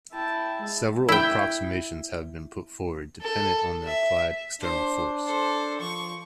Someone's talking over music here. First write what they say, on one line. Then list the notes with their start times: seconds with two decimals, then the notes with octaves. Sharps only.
Several approximations have been put forward, dependent on the applied external force.
0.12 E4 G5 A5
0.59 G#3
1.09 E4 G5
3.22 A4
3.85 E5
4.61 D4 C5
5.26 A4 C5
5.80 F3 C#6